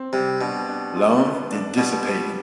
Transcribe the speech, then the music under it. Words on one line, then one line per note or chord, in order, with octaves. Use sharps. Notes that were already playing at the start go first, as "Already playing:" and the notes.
Ione then dissipated.
Already playing: C4
C3 G3
B2 D4
D4
F4
B3
D4
B2 G3
G3